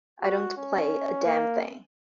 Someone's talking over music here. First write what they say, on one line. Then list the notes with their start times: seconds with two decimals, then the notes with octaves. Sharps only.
I don't play a damned thing.
0.21 F#4
0.57 C#4
1.25 A#3